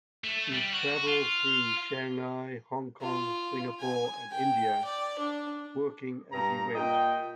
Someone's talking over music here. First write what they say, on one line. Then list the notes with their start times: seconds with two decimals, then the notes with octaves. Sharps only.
He travelled through Shanghai, Hong Kong, Singapore, and India, working as he went.
0.24 A3
0.53 G3
0.73 F#4
1.07 F4
3.01 F4
3.80 G#5
4.32 G5
4.84 D5
5.18 D4
6.31 G2 A#5
6.75 A#2 D#5 G5